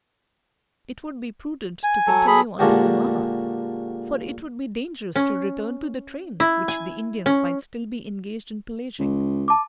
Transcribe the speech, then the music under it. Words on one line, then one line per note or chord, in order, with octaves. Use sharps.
It would be prudent to continue on to Omaha, for it would be dangerous to return to the train, which the Indians might still be engaged in pillaging.
G#5
F#3 A4
G#4 B5
A#2 D3 G#3 D4 F#4 G4
C#4
E4
G#5
C#4
C#2
A5 D6